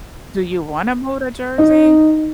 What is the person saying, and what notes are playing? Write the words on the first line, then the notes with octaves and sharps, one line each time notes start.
Do you wanna move to Jersey?
D#4